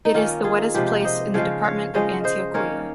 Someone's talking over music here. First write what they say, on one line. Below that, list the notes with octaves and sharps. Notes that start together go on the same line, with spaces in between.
It is the wettest place in the department of Antioquia.
D#4
D#3 A#3 C#4 F4
F4 G#4
C3 F3 G#3 D#4 G4
C5 D#5
C#3 F3 G#3 C#5 F5
C#5 F5
C#3 F3 G#3 C#4 C5 D#5
C5 D#5
D#3 A#3 C#4 A#4 C#5